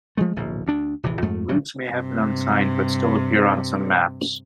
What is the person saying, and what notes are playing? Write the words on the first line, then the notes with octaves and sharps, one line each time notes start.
Routes may have been unsigned, but still appeared on some maps.
F3 G#3 A3
D1 A#1 B2
D2 D4
E1 A#1 C3 E3
F2 G#2 A3
A1 C3 F#3 G3
G2 C3